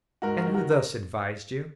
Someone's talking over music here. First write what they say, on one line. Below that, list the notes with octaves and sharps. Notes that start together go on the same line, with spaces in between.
"And who thus advised you?"
G#2 F#4 A#4
F#4 A#4
D#3 F#3
F#4 A#4
A#4